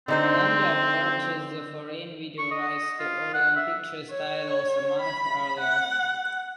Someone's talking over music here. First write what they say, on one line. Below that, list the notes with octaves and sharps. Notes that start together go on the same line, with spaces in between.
Columbia purchased the foreign video rights to Orion Pictures titles a month earlier.
D3 C4 D#4 C5
C#6
D#5
F4
F#5
E5
C#5
B5
F#5